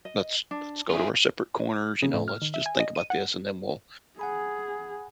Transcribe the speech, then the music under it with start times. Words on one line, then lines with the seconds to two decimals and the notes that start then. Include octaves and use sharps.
let's let's go to our separate corners, you know, let's just think about this, and then we'll
0.05 D#5
0.51 D4
0.90 C#4 E4 F4 G#4
2.02 C#3
2.14 A2
2.28 F6
2.42 D#3
2.54 E5
2.66 G#5
2.80 D#5
2.95 D#7
3.10 F#5
4.19 G#4 F#5 G#5 B5